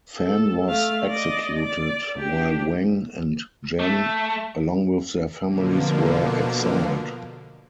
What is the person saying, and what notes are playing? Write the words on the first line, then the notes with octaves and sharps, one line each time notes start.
Fan was executed, while Wang and Gen, along with their families, were exiled.
A4
A3 F5
D5 D#5
D5
D4 G4
A3
B2 D3 F3 A#3